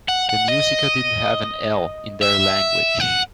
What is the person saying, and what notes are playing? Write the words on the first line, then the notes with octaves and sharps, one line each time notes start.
The Muisca didn't have an "L" in their language.
F#5
F#5
D#5
E5
F#5